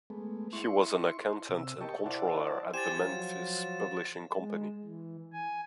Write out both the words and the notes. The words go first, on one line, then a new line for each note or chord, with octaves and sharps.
He was an accountant and controller at the Memphis Publishing Company.
G#3 A3 B3
E4 C6 C#6
C3 E6
G4 A#4 D#5 G5 A5 C#6
E4 C5 D5 E5 F#5 A5
G4 C5 G#5 A6 E7
F3 F#3
G#3
E3
G#5